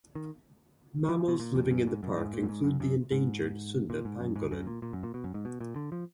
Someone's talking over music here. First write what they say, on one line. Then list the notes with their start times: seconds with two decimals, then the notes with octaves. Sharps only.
Mammals living in the park include the endangered Sunda pangolin.
0.15 D#3
1.09 F3
1.28 B2
1.40 A#2
1.55 F2
1.71 F#2
1.87 G#2
2.03 F#2
2.17 G#2
2.33 A#2
2.43 F#2
2.49 G#2
2.64 F#2
2.80 F#2
3.12 G#2
3.90 A#2
4.05 G#2
4.20 F#2
4.36 G#2
4.51 F#2
4.67 A#2
4.82 A#2
4.93 F#2
5.03 A#2
5.14 B2
5.24 F#2
5.34 G#2
5.45 B2
5.60 A#2
5.76 D3
5.92 F3